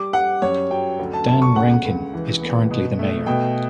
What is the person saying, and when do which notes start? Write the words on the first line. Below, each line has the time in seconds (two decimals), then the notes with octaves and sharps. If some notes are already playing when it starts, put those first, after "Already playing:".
Dan Rankin is currently the mayor.
Already playing: G3 D6
0.13 G3 F#5
0.42 F#2 C#5
0.71 F#3 G5
0.99 D2
1.13 A5
1.28 D2 A5
1.42 C#6
1.55 C#2 F#5
1.85 C#2
2.13 E3
2.42 B3
2.71 B2
2.99 A3
3.26 B2 G5